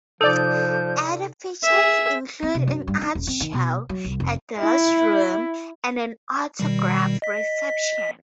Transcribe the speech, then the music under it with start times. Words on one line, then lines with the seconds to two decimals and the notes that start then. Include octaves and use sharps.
Other features include an art show, a dealer's room, and an autograph reception.
0.21 C3 F3 D#4 A4 D5 G6
1.63 G#4 E5
2.43 C4
2.54 C3
2.67 F#2
2.88 G2
3.02 D#4
3.15 D#1
3.27 C4
3.40 D#3
3.53 B2
3.89 F#3
4.05 C2
4.20 F1
4.59 E4
6.60 B2 D#3 G3
7.22 D#5 B6